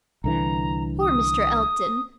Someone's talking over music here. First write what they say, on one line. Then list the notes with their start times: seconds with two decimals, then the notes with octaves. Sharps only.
Poor Mr. Elton!
0.24 C2 D3 E3 A#5
1.01 D#6